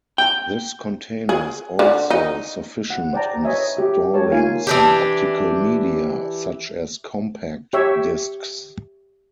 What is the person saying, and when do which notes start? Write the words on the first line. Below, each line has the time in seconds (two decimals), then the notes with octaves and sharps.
This container is also sufficient in storing some optical media, such as compact disks.
0.18 G5
1.29 G#4
1.79 D3
2.10 D#4
2.90 F#5
3.13 C5 D5 G5 A5 A#5
3.44 B4 C#5 D#5 E5 G#5
3.77 A3 G4 E5
4.14 G#3 A#4 C#5 G5 A5
4.32 A#3 D#4 F4 F5 G#5
4.67 E3 D4 G4
7.73 G4 C#5 E5